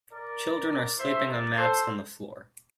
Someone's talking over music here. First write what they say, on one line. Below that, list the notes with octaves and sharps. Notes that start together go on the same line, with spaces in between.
Children are sleeping on mats on the floor.
A#4 D5
C3 E3 A3 C5 E5
A#4 D5
A4 C5